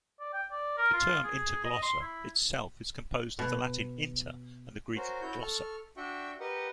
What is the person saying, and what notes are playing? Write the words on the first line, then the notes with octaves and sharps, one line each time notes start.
The term "Inter-glossa" itself is composed of the Latin "inter" and the Greek "glossa".
D5
G5
D5
A#4
F4
G#4
D#5
C6
E4
B2
C#4 F#4 A#4 C5
E4 F#4 C#5 G6
A4 C#6 F6
D4 F#4 E5 G5 C#6
G4 A#4 B4 D#5 F#5